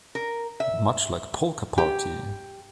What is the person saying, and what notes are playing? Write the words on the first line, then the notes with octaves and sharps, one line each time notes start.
Much like Polka Party!
A#4
E5
G4